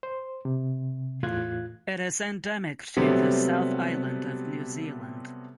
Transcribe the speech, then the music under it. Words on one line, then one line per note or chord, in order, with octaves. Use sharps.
It is endemic to the South Island of New Zealand.
C5
C3
E2 A2 F4 F#6 G#6
C3 F#3 G3 A3 B3 C4